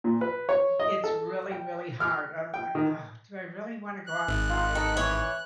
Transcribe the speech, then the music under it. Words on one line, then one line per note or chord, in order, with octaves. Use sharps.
it's really, really hard, I was like, "Ugh. Do I really wanna go outside?"
A#2
B4
C#5
D#5
A4
G5
F6
G5
D#3
F#6
G#1
F4
D#3 A4
E3 C#5